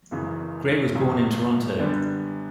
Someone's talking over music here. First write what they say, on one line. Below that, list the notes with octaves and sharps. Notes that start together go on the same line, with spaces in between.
Gray was born in Toronto.
G#1 F#2 C#3 E3
G#1 F#2 C#3
F#2 D3 G3 B3 D4